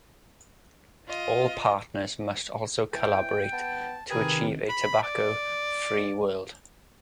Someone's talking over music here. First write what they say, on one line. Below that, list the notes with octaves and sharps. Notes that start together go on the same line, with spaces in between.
All partners must also collaborate to achieve a tobacco-free world.
F4 D#5
E3 G5
B3 A5
C3 D#3 G4 G#4 A#4 B4
B5
D5